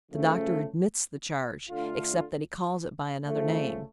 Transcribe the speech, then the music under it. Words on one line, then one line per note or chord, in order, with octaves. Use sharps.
The doctor admits the charge, except that he calls it by another name.
C#3 F3 A3 C#4
D3 A3 D4 F4
C#3 F3 A3